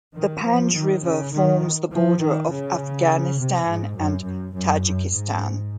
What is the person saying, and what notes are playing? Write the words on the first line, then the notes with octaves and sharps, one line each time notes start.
The Panj River forms the border of Afghanistan and Tajikistan.
D#3
F3
D#3
C#3
D#3
F3
D#3
C#3
C3
G#2
F#2
F#2
F#2
F#2
G#2